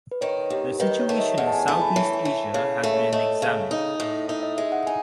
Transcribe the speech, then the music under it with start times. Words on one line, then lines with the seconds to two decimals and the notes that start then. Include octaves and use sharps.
The situation in Southeast Asia has been examined.
0.11 B4
0.21 D#3 C#5
0.50 D#2
0.80 D#3 B4
0.91 D#5
1.00 C#5
1.09 A3 E5
1.19 D#5
1.38 E2 F#5
1.47 A5
1.53 G#5
1.67 A3 A5
1.82 B5
1.96 E3 C#5
2.25 A3
2.54 C#3 C#5
2.84 A3
2.94 C#5
3.13 A3 D#5
3.42 C#3
3.71 D#4
4.00 A2
4.29 D#4 E5
4.43 D#5
4.58 G#3 E5
4.72 F#5
4.87 D#4 G#5